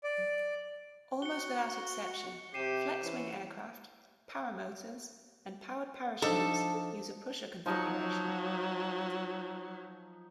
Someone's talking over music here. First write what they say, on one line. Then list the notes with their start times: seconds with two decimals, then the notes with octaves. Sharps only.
Almost without exception flexwing aircraft, paramotors and powered parachutes use a pusher configuration.
0.04 D5
1.22 F#4 C#7 G7
2.54 C3 G4 C7 D#7 E7
3.04 E3 C#4
6.22 F3 D4 D#4 A4
7.66 F3 F#3 D#4